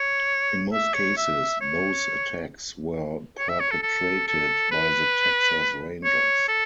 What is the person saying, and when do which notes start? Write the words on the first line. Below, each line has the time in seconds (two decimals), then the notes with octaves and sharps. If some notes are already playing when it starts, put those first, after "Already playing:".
In most cases those attacks were perpetrated by the Texas Rangers.
Already playing: C#5
0.73 E5
0.94 C#5
1.17 E5
1.61 C#5
3.39 C#5
3.49 E5
3.60 C#5
3.71 A4
3.83 A4
4.28 A4
4.72 B4
6.04 C#5
6.48 A4